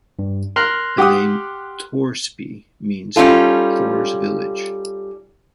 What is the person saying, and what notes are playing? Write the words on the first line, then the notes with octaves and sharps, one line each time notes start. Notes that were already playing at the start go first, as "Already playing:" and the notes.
The name "Torsby" means Thor's village.
G2
A#4 C6 F6 F#6
G4 F#5 D#6
G3 C#4 D#4 F4 A4